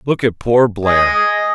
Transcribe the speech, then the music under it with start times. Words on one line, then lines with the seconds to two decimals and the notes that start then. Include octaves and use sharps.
Look at poor Blair.
0.85 D#5 G#5